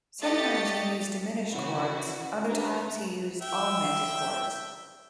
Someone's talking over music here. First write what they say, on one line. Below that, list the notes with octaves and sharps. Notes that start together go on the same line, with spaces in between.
Sometimes he used diminished chords, other times he used augmented chords.
A3 G4 D5 D#5 A6 C#7
C#3 E3 E4 F#4
C#4 D4 G4 B4 A#5
E5 G5